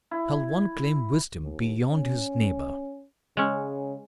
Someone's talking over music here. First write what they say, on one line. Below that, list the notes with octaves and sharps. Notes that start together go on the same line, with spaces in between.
Shall one claim wisdom beyond his neighbor?
E4
D#2
C#4
C#3 G#3 C#4